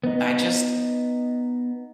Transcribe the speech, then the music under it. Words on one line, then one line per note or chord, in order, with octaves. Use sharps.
I just
B3 D#4